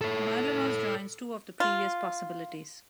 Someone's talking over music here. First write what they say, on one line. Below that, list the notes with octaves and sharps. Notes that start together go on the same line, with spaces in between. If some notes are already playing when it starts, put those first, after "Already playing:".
Mylonas joins two of the previous possibilities.
A4 C#5
F4